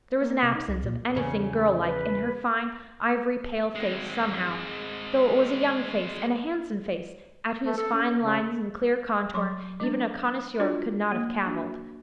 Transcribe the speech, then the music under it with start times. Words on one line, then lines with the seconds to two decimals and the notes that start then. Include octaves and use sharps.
There was an absence of anything girl-like in her fine, ivory-pale face, somehow, though it was a young face and a handsome face, at whose fine lines and clear contour even a connoisseur could not have caviled.
0.22 A#3
0.43 C3
0.55 D#4
0.69 C2
0.84 A#2
1.15 E2 C#3
1.83 B4
3.75 G#3 C4
7.65 A3
7.77 A4
7.93 C#4
8.22 C#3
9.34 F#3 C6 D6
9.80 G#3 D4
10.60 D4 F4 F#4 C#5 D5
11.12 A#3
11.46 D4 F#4